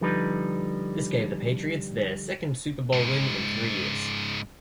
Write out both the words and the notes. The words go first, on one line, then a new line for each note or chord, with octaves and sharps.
This gave the Patriots their second Super Bowl win in three years.
D3 F3 G3 D#4 B4
G#2 C#3